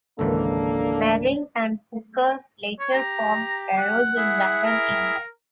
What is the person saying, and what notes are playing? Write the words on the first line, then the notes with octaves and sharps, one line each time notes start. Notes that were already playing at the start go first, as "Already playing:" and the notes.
Merrill and Hooker later formed Arrows in London, England.
G#1 C#2 E3 A#3 D4 A4
C#5
G4 A#5
F#5
E4 G#4 E5
A#4